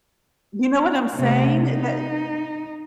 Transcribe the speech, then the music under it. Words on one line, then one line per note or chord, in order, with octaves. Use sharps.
You know what I'm saying? That
C3 A3
D#4